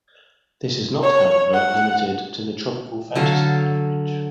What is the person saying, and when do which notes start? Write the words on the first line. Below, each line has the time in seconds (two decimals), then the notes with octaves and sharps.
This is not however limited to the Tropical Fantasy beverage.
1.03 C#5
1.54 F#5
3.15 D3 F#3 A4 F5